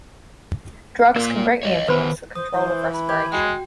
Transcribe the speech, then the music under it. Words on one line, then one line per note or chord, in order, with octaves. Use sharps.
Drugs can greatly influence the control of respiration.
A#3 F4 A#4
C#5 D#5
D#3 B3 B4 C5 B5
C5 D#6
E3 C5
B5
G4 G#6
G#3 F#4 G5